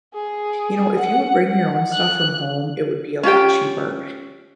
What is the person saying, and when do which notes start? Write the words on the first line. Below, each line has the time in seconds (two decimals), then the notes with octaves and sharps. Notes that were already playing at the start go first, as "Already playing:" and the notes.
you know, if you would bring your own stuff from home, it would be a lot cheaper.
0.14 G#4
0.99 F#5
1.43 F#5
1.93 F#6
3.23 C#4 F4 G4 G5